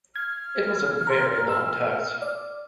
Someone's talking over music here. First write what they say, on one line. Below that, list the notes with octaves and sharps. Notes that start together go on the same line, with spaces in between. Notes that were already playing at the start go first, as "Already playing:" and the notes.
It was a very long text.
F6 G#6
A#5 C6
E6
D5